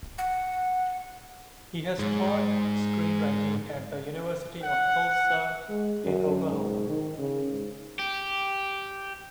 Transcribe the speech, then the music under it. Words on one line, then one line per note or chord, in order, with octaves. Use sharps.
He has taught screen writing at the University of Tulsa in Oklahoma.
F#5
G#2 G#3
F#5
G#3
F#2
G#2
D#3
C#3
G#2
G4